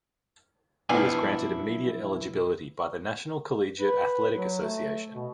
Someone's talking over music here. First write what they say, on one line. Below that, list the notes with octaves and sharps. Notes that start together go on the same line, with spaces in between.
He was granted immediate eligibility by the National Collegiate Athletic Association.
B1 F3 B3 D4 E4 G#5
B4
F#3
A3
B2